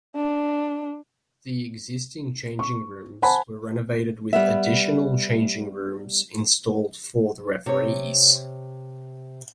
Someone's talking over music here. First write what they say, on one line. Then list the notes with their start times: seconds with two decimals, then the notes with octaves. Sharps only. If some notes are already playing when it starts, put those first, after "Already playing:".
The existing changing rooms were renovated with additional changing rooms installed for the referees.
0.16 D4
2.59 C#6
3.22 C5 F#5 G#5 A5 B5
4.33 G3 B3 E5
7.66 C3 C#5